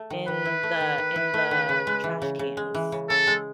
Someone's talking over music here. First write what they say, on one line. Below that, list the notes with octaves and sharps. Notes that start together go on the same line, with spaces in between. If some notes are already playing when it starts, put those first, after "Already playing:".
in the in the trash cans
Already playing: A3
D#3
D#3 B4
E4
A3
D#3
D#3
E4
A3
D#3
C#3
G#3
E3
C#3
C#3
G#3
E3
C#3
C#3 A4
G#3